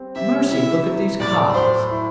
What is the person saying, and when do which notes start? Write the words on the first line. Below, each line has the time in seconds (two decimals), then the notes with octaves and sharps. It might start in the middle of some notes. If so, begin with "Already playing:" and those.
"Mercy, look at these cod!" he said.
Already playing: G3 C4
0.16 C3 E5
0.51 E4 E5
0.85 F#3
1.20 A2 D5
1.54 F#3 C5
1.90 E4